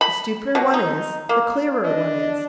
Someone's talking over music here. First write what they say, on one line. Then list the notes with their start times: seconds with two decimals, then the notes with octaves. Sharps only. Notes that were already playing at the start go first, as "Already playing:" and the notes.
The stupider one is, the clearer one is.
0.01 B5
0.55 B2
0.74 D#4
1.29 A#3
1.84 D4 D#5